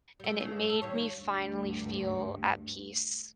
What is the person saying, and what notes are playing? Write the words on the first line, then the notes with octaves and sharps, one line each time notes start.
and it made me finally feel at peace,
G3 A3
G2 C#3 A3
A4
D#2 G3 C#5
D2 G2